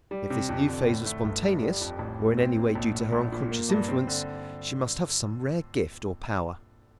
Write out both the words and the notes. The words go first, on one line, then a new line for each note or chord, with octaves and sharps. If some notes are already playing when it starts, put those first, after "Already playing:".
If this new phase was spontaneous, or in any way due to her unconscious influence, she must have some rare gift or power.
G3
C3
F2
D3
A2
A3
G1
G2
G3
F2
A1
A2
C4
A#2
A#1
A2
A#1
A#2
A#3
G2
C4
D3